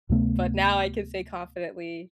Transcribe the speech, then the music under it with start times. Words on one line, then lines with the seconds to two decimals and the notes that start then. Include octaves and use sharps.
but now I can say confidently
0.09 D2 C3 A3 B3